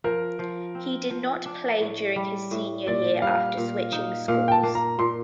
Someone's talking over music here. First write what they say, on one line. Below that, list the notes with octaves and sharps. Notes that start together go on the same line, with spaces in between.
He did not play during his senior year after switching schools.
F3 A#4
F3
C4
F3
D4
A2
G3
A2
A#2 D5
G3 F5
A#2
D#4
A#2 F5
G5
A5
A#3
A#5
A#2 C6